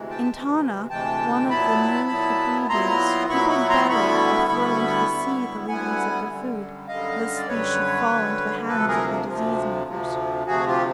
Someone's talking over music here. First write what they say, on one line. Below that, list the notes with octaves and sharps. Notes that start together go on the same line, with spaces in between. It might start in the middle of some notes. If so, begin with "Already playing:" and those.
In Tana, one of the New Hebrides, people bury or throw into the sea the leavings of their food, lest these should fall into the hands of the disease-makers.
Already playing: D2 C3 E3 G#3
G5 A5
D2 C3 E3 G#3
D2 C3 E3 G#3 G5 A5
A#2 F#3 B3 E4 A5 B5
A#2 F#3 B3 E4
A#2 F#3 B3 E4 A#5 C6
A#2 F#3 B3 E4 B5 C#6
B5 C#6
A#5 C6
D2 D3 G3 B3 E4 B5 C#6
D2 D3 G3 B3 E4 B5 C#6
D2 D3 G3 B3 E4
D2 D3 G3 B3 E4 F#5 G#5
F#2 D3 G3
F#2 D3 G3 D#5 F5
D5
F#2 D3 G3 B4 C#5
F#2 D3 G3
D2 C3 F3 A4 B4
G#4 A#4
D2 C3 F3
D2 C3 F3
D2 C3 F3 F#4 G#4
F4 G4